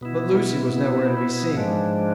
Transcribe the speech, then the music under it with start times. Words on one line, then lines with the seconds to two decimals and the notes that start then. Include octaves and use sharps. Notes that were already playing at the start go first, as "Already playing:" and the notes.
But Lucy was nowhere to be seen.
0.01 B2 B3 E4
1.55 G#2 F3 G#3 D4